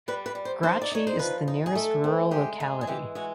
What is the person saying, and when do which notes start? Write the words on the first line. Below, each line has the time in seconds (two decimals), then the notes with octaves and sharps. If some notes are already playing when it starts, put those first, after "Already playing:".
Grachi is the nearest rural locality.
0.08 G3 B4
0.26 B4
0.35 G3
0.45 C5
0.63 D#4 C5
0.82 D5
0.92 D#4 C#5
1.07 C5
1.19 F3 B4
1.48 D#4
1.66 G#4
1.75 A3 A4
2.04 C4
2.31 G#3 G4
2.60 G#3
2.81 G#4
2.87 E3 G4
3.15 G#3 F#4